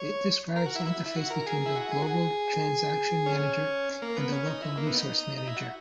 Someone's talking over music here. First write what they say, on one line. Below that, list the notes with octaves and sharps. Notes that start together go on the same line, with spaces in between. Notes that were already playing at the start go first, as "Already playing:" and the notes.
It describes the interface between the global transaction manager and the local resource manager.
Already playing: C#5
A#4
F#4
E4
E4
E4
F#4
A#4
G#4
E4
F#4
G#4
F#4
G#4
C#4
A#3
B3
C#4
D#4
E4
A#3
B3
D#4
D#4
E4
F#4